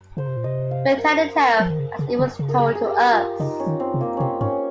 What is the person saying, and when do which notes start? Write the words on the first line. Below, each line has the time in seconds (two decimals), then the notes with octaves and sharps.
We tell the tale as it was told to us.
0.17 C#3 C5
0.28 C3
0.37 A#2
0.44 C3 D#5
0.71 F5
0.98 A#4
1.60 F3
1.70 D#3
1.79 C#3
1.99 C#3
2.19 C#3
2.39 C#3
2.49 A#4
2.59 G#4
2.75 G#4
2.86 G4
3.13 F4
3.40 C#3 D#4
3.60 C#4
3.67 D#3
3.80 C4
3.94 C3
4.01 A#3
4.17 C3 C4 C#4
4.41 G#2 C#4